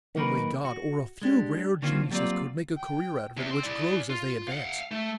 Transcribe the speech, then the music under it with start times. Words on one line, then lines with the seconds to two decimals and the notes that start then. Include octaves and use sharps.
Only God or a few rare geniuses could make a career out of it which grows as they advance.
0.16 D#3 F#3 A#3 D#4 A#4 B4
0.65 F#4
1.22 G#3 D4 G4
1.82 D3 D#3 A#3 C4 C#4 F4
2.11 F#3 G3 A#3 C4 F4 D5
2.77 G5
3.37 E2
3.51 G5 C6
3.63 E4 D5
4.10 F4
4.48 F5 F#5
4.91 A3